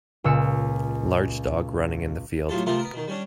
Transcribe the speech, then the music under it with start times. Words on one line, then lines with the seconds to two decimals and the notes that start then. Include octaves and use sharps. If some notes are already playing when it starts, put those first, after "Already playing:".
Large dog running in the field.
0.24 C#2 A#2 E6 C#7
2.49 A2 F#3 F4 G4 A4
2.66 C3 F3 A3 C4 F4 A#4
2.79 B3 A#4
2.94 B2 D#3
3.08 G3 C#4 D4